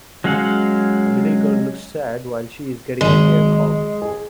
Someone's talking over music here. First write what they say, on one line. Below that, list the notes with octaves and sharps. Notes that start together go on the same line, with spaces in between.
A little girl looks sad while she is getting her hair combed.
F#3 G#3 C#4 F5 F#5
G#1 F#3 G#3 D#7
G#4